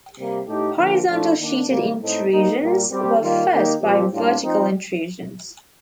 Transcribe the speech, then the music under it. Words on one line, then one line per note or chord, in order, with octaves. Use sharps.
Horizontal sheeted intrusions were fed by vertical intrusions.
C3 G3 A#3
A2 A3 D#4 G4
D3 F3 A#3
A#2 F3 A3 D4 F4
D#3 A#3 D4
C3 D#3 G3 A#3
A2 A3 C4 D#4
G3 A#3 D#4
A#2 G3 A#3
G3 C4 G4
D#3 G3 A#3 F4
D#3 A#3 D#4 G4
A#2 F3 C4 G4
A2 G3 D4 F4
F3 C4 D#4